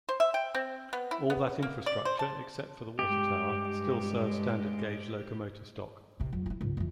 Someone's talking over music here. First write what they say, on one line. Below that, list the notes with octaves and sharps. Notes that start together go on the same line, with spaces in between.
All that infrastructure except for the water tower still serves standard-gauge locomotive stock.
C5
E5
G5
C4
B3
E4
B3
A#3
D5
C5
A5
G2 G#3 G4
C2 C3
F2 F#3
E4 F4
C#2 G#2
F2 E3